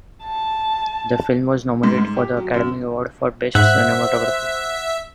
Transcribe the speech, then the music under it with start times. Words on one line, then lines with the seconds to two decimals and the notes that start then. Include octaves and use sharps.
The film was nominated for the Academy Award for Best Cinematography.
0.23 A5
1.83 G#2
1.98 G#2
2.17 G4
2.37 F#3
2.54 F#2
3.55 G#2 C5 E5 F#5